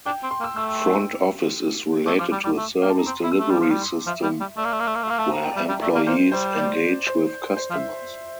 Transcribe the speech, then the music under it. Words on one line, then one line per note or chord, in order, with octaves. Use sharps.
Front office is related to a service delivery system, where employees engage with customers.
D4 G5
C4
C6
A#3
E6
A3 E6
A3 D6
F3 D6
G3 D6
G3 D6
A3
A#3 G5
A5
A#5
C4 C6
E4
E6
A3
G3
F3 D6
G3
C6
F3 E5
G3
G3
A3 D5
A#3
A3
A#3
A3
A#3
A3
A#3 F5
A3 A5
A#5
G5
D5
G3 E5
G3
A3 D5
A#3
A#3 C5
G3 C5
D5
C5
C5
F3
E5